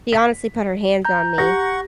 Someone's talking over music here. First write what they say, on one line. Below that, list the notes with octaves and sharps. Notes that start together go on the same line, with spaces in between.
She honestly put her hands on me.
B6
A#5 G6
G4 F#5 C#6 A#6